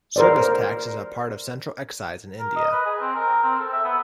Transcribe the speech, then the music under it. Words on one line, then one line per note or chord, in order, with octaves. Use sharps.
Service tax is a part of Central Excise in India.
A#4 C5 D5
A#4
D#5
B4
G#4
C4
A#4
C4
A4
E5
B3